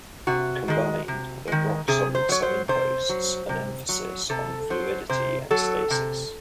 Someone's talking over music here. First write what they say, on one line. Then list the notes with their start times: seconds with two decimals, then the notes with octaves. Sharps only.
Combined, the "rock solid" signposts an emphasis on fluidity and stasis.
0.27 C3 F#4
0.68 D#3 G#3
1.08 C3
1.48 D#3 G#3
1.88 C3 G#4
2.15 C5
2.29 F#3 C#5
2.42 C5
2.68 C3 C5
3.09 F#3
3.49 C3
3.89 F#3
4.30 C3 A4
4.70 F#3 C5
5.10 C3 C5
5.51 F#3 A4
5.90 C3